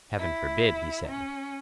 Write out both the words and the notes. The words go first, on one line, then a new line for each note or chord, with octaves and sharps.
Heaven forbid, he said.
E4
C#4